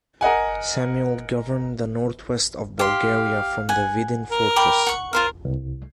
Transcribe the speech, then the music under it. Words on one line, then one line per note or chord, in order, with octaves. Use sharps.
Samuel governed the north-west of Bulgaria from the Vidin fortress.
A#4 D#5 F#5 G#5
G4 F5 C6
F#5 G#5
A#4
G5 B5 D6
F#5 C#6
F4 A#4 C5 F5
C2